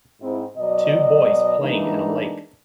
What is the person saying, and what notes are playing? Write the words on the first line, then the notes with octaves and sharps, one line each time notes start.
Two boys playing in a lake.
G#2 C4 E4
B2 F#3 D5 D#5
E3 G3 G#3 A#3 D4 D#4